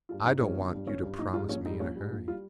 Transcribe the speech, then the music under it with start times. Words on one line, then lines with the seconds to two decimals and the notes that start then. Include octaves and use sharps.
"I don't want you to promise me in a hurry."
0.09 G2 G3 F4
0.24 G1 D#4
0.39 G2 G3 C#4
0.56 G1
0.71 G2 G3
0.87 G1 C#4
1.03 G2 G3
1.18 A#1 D#4
1.33 G#2 G3 F4
1.49 A#1 C#4
1.65 G#2 D#4
1.69 G3
1.80 A#1 C#4
1.96 G#2 G3
2.11 A#1
2.27 G3 F4